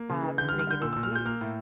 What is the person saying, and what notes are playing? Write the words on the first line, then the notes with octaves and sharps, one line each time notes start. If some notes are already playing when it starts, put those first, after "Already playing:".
have bigoted views,
Already playing: A#3
C#3
E3
D3 G6
F6
G3
F6
D3 G6
A#2 E6
A#2 E6
F6
A#2 G6
A#3 F6
A2